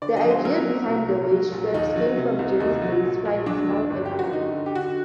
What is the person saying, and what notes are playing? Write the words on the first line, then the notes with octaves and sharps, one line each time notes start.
The idea behind the weight straps came from Jerry's days flying small airplanes.
D3 D5
D#5
F#3
C5
F#3 A#4
F#3
C2
A#2
F#3
A#1
D#2 D#4
F#3
C3
C2
D#2 D#4
F#3
A#1
A#1
F#3 D4
D#2
G1
G4
F#2
F#4
D3 D#4
D3
G4
D3 F#4